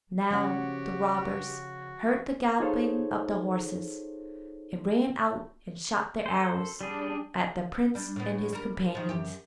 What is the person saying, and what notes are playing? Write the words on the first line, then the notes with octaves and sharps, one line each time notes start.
Now the robbers heard the galloping of the horses, and ran out and shot their arrows at the prince and his companions.
C#3 F3 F#4 G4 C5 F#5
D#4 F4 G#4 A4 C5 C#5
A4 C5
G3 D4 G#4
G3 D4
A2 B3
G3 A#4
D#3 F3
F#2 G4